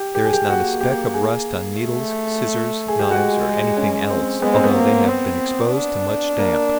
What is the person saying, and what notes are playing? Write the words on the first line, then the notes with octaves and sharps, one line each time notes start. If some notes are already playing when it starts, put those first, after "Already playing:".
There is not a speck of rust on needles, scissors, knives, or anything else, although they have been exposed to much damp.
Already playing: G4
G4
G#4
G4
A#3 F#4
G4
G#4
A3
G#4
G4
G#3 F#4
C#4
C4
G#3 B3
C4
B3
A#3
C4
D4
A#3